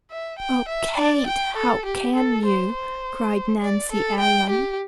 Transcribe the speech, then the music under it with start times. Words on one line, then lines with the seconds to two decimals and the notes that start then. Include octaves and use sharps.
"Oh, Kate, how can you!" cried Nancy Ellen.
0.10 E5
0.39 G5
0.69 E5
0.97 D5
1.27 G5
1.57 A4
1.85 G4
2.16 A4
2.45 C5
2.74 C5
3.62 D5
3.92 A4
4.20 G5
4.50 G4